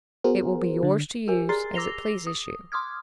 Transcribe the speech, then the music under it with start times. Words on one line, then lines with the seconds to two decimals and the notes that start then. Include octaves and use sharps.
It will be yours to use as it pleases you.
0.24 B3 F#4 G#4 A#4 C5
0.83 D3 D4
1.28 G4 A#4 G#5
1.49 G#4 A#5 C6 A6 C7
1.74 D6 E6 A#6 C7 F7 G7
2.27 D#6
2.72 C6 D6 D#6 F6 G#6